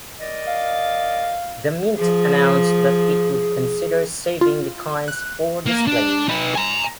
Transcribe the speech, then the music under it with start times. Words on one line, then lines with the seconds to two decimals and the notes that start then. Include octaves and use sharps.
The Mint announced that it would consider saving the coins for display.
0.20 A#4 D5 D#5
0.47 F5
1.98 F3 G#4
4.41 F4
5.08 F#6
5.66 A#3
5.87 D4
6.28 D#4 B4
6.56 G#5 A#5